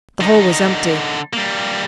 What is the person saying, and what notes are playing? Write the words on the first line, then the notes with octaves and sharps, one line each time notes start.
The hole was empty.
D3 D#4
G3 A#3